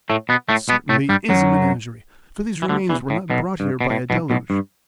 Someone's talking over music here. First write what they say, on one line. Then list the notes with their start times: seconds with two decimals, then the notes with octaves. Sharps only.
It certainly is a menagerie, for these remains were not brought here by a deluge.
0.10 A2 A3
0.29 B2 B3
0.49 A2 A3
0.69 B2 B3
0.89 A2 A3
1.09 G2 G3
1.29 F#2 F#3
2.62 E3
2.69 D2 D3
2.89 E2 E3
3.10 A2
3.30 B1 B2
3.60 G2
3.81 B2
3.90 A2
4.10 B1 B2
4.30 B1 B2
4.50 G2